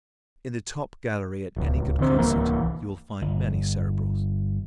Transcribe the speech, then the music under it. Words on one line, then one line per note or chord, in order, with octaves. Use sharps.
In the top gallery at any good concert you will find many Cerebrals.
D1 C#2
D1 D3 C4
D1 C2 E3 A#3
G1